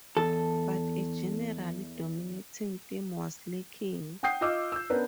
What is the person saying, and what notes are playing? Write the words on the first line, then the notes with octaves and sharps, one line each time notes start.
But a general dominating theme was lacking.
E2 A4 A5
F#5 G5 D#6 G6 C7
F4 D#5 F5 D6 E6 F6
E6 G6
B3 C#4 D4 A#4 B4